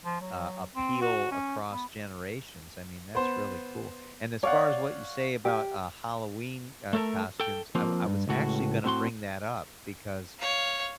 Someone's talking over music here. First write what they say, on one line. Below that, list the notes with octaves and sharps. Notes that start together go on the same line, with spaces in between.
uh, appeal across generations. I mean, that's really cool. And as far as what you say about, uh, Halloween, uh, costumes, I wa I was actually gonna bring that up because,
F3
F#3
C4
F#4
C#4
B3
B3 C5
C#5 D5 F5 F#5
G4
A3 A4 A#4
A4 G5
F3 A#3 C4
G2
C#2 A2 F#4
A2 C4 F#4 C6
C#5 F5